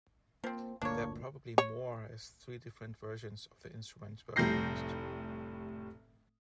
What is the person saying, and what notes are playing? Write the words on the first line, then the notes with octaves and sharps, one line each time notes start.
There are probably more as three different versions of the instrument were produced.
F3 A#3 C4
G1 D2 A#2 A#3 D4 C#5
C#5
F1 A2 G3 G6 A#6 C7